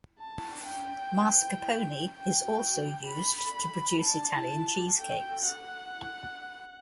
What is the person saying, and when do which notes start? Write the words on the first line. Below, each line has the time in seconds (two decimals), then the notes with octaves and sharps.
Mascarpone is also used to produce Italian cheesecakes.
0.20 A5
0.67 G5
2.11 G5
3.07 B5
4.02 A5
4.98 G5
5.47 F#5